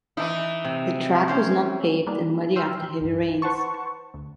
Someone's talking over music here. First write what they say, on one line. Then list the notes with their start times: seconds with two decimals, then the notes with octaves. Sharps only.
The track was not paved, and muddy after heavy rains.
0.17 E3 D#4 E4
0.65 C3
1.28 C#4 C5
2.07 G3 G#3 A#3 D4
2.56 G5 C6 E6 F6
3.01 B1 G2
3.42 B4 C5 F#5 A5 C#6
4.14 D2